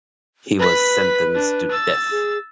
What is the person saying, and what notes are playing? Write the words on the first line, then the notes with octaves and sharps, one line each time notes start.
He was sentenced to death.
B4 B5 B6
D4
E6 A6
G#4